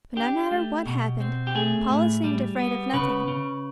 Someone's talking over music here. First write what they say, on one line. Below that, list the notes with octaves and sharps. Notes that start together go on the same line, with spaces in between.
But no matter what happened, Paula seemed afraid of nothing.
D4 G4
A3
B2
C4
G4
A3 G#4
A2
G3
B3
C#3 B4
C#3